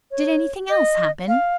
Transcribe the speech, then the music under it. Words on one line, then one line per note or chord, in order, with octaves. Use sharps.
"Did anything else happen?"
C#5
D#5
F5